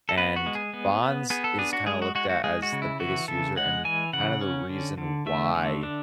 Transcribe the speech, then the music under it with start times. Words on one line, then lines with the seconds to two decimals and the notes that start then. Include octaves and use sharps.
And Bonds is kinda looked at as the biggest user and kinda the reason why
0.09 A4
0.17 B3 B4
0.36 F#4
0.46 G#3
0.55 G#4
0.74 B3
1.03 B3
1.30 B3 G#4
1.44 A4
1.58 D4 G#4
1.73 F#4
1.86 G#3 G#4
2.02 F#4
2.15 G#3 F#4
2.30 F#4
2.44 G#3 G#4
2.62 F#4
2.72 C#3
2.82 E4
3.00 E3 F#4
3.28 C#3 A4
3.56 G#3 F#5
3.85 E3 G#5
4.13 C#3 F#5
4.41 C#4
4.69 D3
4.98 D3
5.26 A3 E5
5.55 D3
5.83 D4